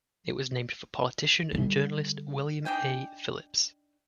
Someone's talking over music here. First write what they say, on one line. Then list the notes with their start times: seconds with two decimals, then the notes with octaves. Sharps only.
It was named for politician and journalist William A. Phillips.
1.52 D3 G3
2.65 D4 D#4 G5 G#5